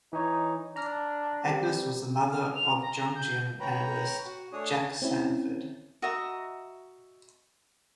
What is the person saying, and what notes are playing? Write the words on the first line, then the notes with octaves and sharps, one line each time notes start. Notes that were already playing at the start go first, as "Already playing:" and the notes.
Agnes was the mother of Jungian analyst Jack Sanford.
E3 D#4 C#5
D4 A#5 F6 A#6
G3 C4 G4
F6
F7
A#5
G6
B4 C#5 G5 A#5 B5
F#4
A3 D4 G#4 C#5 D#6
C4 C#4 E4
F#4 D#5 E5 A#5